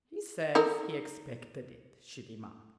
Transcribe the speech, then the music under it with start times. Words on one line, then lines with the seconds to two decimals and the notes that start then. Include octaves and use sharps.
"He says he expected it," she remarked.
0.55 D#4 A4 A#4